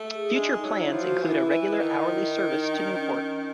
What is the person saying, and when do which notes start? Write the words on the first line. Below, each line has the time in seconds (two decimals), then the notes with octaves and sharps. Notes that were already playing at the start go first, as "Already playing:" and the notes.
Future plans include a regular hourly service to Newport.
Already playing: A3
0.14 G#4
0.36 G#3 D4
0.58 D#4
0.64 F#3
0.78 E4
0.93 F3
1.00 F#4
1.21 E3 E4
1.50 E3
1.64 E4
1.79 D#3
2.08 E4
2.29 E4
2.51 D#4
2.73 D4
2.94 C#4